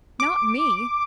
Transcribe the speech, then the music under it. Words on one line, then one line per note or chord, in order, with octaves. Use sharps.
Not me!
D6